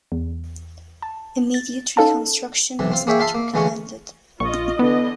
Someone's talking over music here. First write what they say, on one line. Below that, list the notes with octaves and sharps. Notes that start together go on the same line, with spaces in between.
Immediate reconstruction is not recommended.
E2
A5
A6
C#4 D#4 A4 F5 A5
B1 C3 E3
C4 F4
A#3 G#4 C#5 E5 G5
F4 E5 F5 A5 C6
A#3
D2 E3 G#3 C#4 F4 C#6
A#1 F4 D#5 C#6
D3 E3 B3 D#5